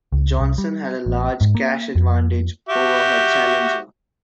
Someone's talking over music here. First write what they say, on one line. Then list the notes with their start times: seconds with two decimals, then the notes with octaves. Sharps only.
Johnson had a large cash advantage over her challenger.
0.12 C#2
0.40 C2
0.58 G3
1.06 A1
1.41 G#2
1.55 A#3
1.95 F2
2.69 F#4 G4 E5